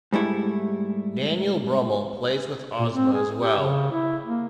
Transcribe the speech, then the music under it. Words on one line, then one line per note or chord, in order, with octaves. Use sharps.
Daniel Brummel plays with Ozma as well.
G#2 G3 A3 E4
A#2
C4
G#4
G4
C#3
E4
A#3